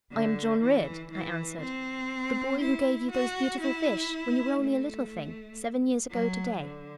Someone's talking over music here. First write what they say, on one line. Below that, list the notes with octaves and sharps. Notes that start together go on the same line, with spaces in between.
'I am John Ridd,' I answered; 'the boy who gave you those beautiful fish, when you were only a little thing, seven years ago to-day.'
D3
E3
E3
C4
E4
F#4
E4
A3
F#3
D3